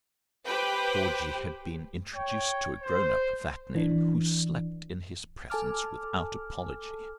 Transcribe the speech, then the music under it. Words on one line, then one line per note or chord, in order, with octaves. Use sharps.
Georgie had been introduced to a grown-up of that name, who slept in his presence without apology.
G4 B4 C5 G5
C#5 G5
C5
E3 D4
A4 G#5 A5 D6 F6